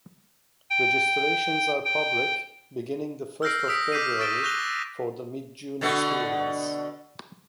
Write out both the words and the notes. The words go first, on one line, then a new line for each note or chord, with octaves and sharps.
Registrations are public beginning the first of February for the mid-June experience.
G5
G5
E6 F6 G6 A#6 C7 D7
D#6 E6 B6 D7
D6 G6 B6 C7 D#7
C#6 F6 A6 D7 E7 G7
C#6 F#6 G6 A#6 F7 G7
E6
B2 D3 A3